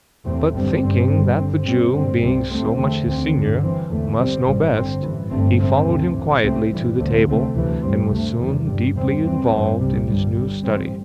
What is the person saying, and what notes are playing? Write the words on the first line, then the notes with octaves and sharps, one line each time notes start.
But, thinking that the Jew, being so much his senior, must know best, he followed him quietly to the table, and was soon deeply involved in his new study.
E2 C3 A3 C4
A1 G2 D3 G3 C4
G1 G2 G3 C4
G1 G2 D3 G3 C4
G2 D3 C4
G2 G3 C4
G2 D3 G3 C4
C2 C3 G3 C4
D2 D3 A3 C4
E2 D3 A3 C4
D2 D3 C4
G1 G2 D3
G1 G2 E3 C4
E2 D3 A3
G1 G2 G3 C4
A1 A2 G3 C4
G2 D3 C4
A1 G2 E3
G1 G2 D3 A3 C4
A1 G2 D3 A3 C4
D2 C3 A3 C4
A1 G2 E3
C2 C3 A3 C4
G1 G2 E3 G3
D2 D3 A3 C4
C2 C3 A3 C4
D2 C3 E3 A3
G2 G3 C4
D2 C3 A3
E2 C3 G3
G1 G2 G3
E2 C3 G3 C4
E2 E3 C4
G1 G2 E3 C4
C2 C3 G3
G1 G2 G3
G1 G2 G3
A1 A2 G3 C4